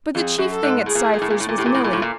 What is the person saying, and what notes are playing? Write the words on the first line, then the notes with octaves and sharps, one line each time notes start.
But the chief thing at Cypher's was Milly.
F2 G#4
F#2
G#4
A4
G#2
A2 G#4
A#2
A2
A#2
A2
A#2
A2
A#2
A2 G4
A#2
A2 E4
A#2
A2 F4
A#2